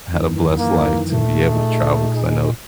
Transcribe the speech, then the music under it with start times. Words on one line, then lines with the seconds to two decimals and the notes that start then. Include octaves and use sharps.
had a blessed life to be able to travel 'cause I know
0.14 F#2 D#3 E3
0.59 A#3
1.13 A#2 A3
1.48 D#4 G#4